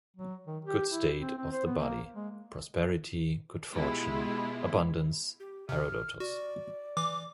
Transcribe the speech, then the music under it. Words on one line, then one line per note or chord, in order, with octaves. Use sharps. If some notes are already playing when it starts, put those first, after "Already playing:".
Good state of the body: prosperity, good fortune, abundance.-"Herodotus".
F#3
D#3
G4
E4
C4
C4
C5
B3
A#3
G#3
B2 G#3 E4 F4 G4
G4
C3 F6
F#4 D5
E3 D6